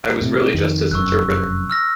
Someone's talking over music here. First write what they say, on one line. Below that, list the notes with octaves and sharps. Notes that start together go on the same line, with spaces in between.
I was really just his interpreter.
A2 C3
F2 D#3
F1 F#2 C#6 E6 F#6
F#6
E6 F6 A#6